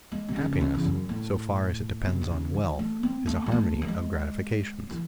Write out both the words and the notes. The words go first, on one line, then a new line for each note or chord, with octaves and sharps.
Happiness, so far as it depends on wealth, is a harmony of gratifications.
G#3
C3
C#3
E3
D#3
C#3
E2
F#2
A2
C3
C3
C#3
D#3
A3
C4
A3
G#3
A3
F#3
G#3
E3